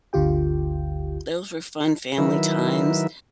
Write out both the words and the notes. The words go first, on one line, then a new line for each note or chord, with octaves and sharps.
those were fun family times,
G1 D2 D3 F4 G4 G5
D#3 F#3 E4 A#4 B4 E5